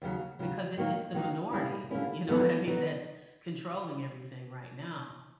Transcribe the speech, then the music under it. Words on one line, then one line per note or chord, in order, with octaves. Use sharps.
because i it's the minority. You know what I mean? That's controlling everything right now.
D#2 C#3 F#3
D#2 C#3 F#3
D#3 F#3 A#3 D#4
D#3 F#3 A#3 D#4
D3 G3 A#3 C#4 E4
D3 G3 A#3 C#4 E4
D2 D3 F#3 B3 D#4
D3 F#3 B3 D#4